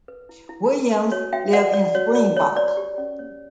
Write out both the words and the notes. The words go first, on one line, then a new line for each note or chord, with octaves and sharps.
Williams lives in Springbok.
B4
E4
E4
B4
B4
F#4 C#5
F#4 E5 G5
B4 D5 F#5
B4 D5
F#4 C#5
F#4 D5
B4 C#5
B4 D5
G4
C#4
C#5